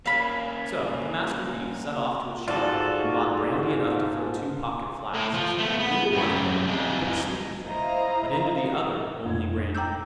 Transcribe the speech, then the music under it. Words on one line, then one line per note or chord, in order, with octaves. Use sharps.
So the Master Thief set off to a shop, and bought brandy enough to fill two pocket-flasks, and into one of them he put a sleepy drink, but into the other only brandy.
A#3 C#4 F5 B5
G#2 F4 F#4 A4 D5
A2
F3
A3 B3
B3
F#2 G3
F2 G#3
E4 C5 D#5 F5 A#5
F2 B2 G#6
G5 A#5 D6 E6 G6